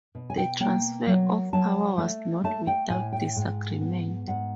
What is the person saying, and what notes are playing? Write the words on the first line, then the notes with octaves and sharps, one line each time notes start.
The transfer of power was not without disagreement.
B2
G#5
G5
A#3 G5
F#3
F#3 A5
A3
A3 A5
G5
A2 G#5
G5
G#2
B3
G#2 F#5